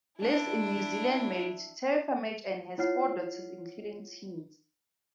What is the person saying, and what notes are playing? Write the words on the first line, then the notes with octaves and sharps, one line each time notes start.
Lives in New Zealand married to Terry Furmage, and has four daughters including twins.
D4 E4
E4 F4 C#5 F#5 F6 C7